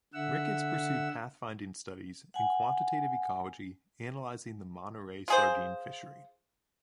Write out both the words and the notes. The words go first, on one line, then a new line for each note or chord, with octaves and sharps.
Ricketts pursued pathfinding studies in quantitative ecology, analyzing the Monterey sardine fishery.
D3 E5 F#5 E6
F#5 G#5
F4 G#4 C5